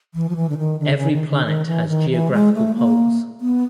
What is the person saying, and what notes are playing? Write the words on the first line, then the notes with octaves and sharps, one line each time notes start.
Every planet has geographical poles.
E3
F3
E3
D3
D#3
D3
C#3
D#3
D3
D#3
E3
D#3
E3
G#3
A3
A#3
B3